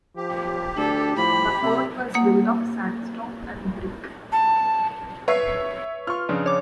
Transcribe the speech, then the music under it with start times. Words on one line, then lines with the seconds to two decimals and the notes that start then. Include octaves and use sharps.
The fort was built of sandstone and brick.
0.17 F3 G4
0.77 D2 D4 A4
1.17 A2 F3 B5
1.63 C3 E5
2.14 A#3 F#5 D#6
4.32 A5
5.28 B4 C#5 E5 C7
6.07 F4 C#6 F6
6.29 F2 C#3 D4
6.46 C#5 D6